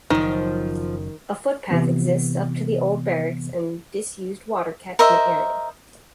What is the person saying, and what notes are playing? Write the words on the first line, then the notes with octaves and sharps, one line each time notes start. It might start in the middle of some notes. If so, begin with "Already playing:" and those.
A footpath exists up to the old barracks and disused water catchment area.
F#1 F#2 D#3 F3
C3 E3 B3
A#4 C5 D#5 E5